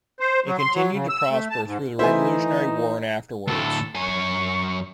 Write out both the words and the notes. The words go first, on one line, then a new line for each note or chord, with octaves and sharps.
It continued to prosper through the Revolutionary War and afterwards.
C5
F#3
C6
F#3
C#3
E6
A3
A5
G#2
E3 A3 D#4 E4 C5 E5 G#5
D2 A2 A4
F#2 G#5 C#6